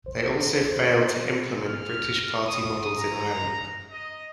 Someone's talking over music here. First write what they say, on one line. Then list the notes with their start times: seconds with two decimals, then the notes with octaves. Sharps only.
They also failed to implement British party models in Ireland.
0.06 C5
1.67 F6
2.48 D#6
2.99 A#5
3.91 D#5